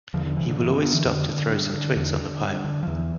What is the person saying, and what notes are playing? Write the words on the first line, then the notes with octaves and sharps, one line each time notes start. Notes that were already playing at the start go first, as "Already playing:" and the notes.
He will always stop to throw some twigs on the pile.
E2 D3 F3
D3
C3 E3
D3
G2 E3
C4
D3 B3 D4
E3
F2 D3
D3
G2
D3
E2 D3
D3
G2
D3
F3
E2 E3